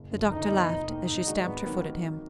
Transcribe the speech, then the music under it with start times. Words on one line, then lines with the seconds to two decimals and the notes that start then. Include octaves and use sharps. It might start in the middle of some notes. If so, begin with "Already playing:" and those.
The Doctor laughed, as she stamped her foot at him.
Already playing: F#1
0.11 F#2 D3 F3
0.31 D2 D#4
0.49 D3 F3 B3
0.69 F1
0.88 D#2 D#3 A#3
1.07 G#2 D#4
1.26 D#3 G#3 D4 F#4
1.45 G#1 B3
1.64 D#3 F#3 A#3